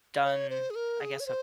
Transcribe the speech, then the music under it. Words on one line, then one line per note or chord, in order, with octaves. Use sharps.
done, I guess a
C#5
C5
G#4
A#4
G#4
C#5
C5